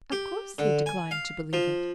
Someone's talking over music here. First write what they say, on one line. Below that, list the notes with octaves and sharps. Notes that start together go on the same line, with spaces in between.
Of course he declined to believe it.
G4
D3
G#5
F5
F3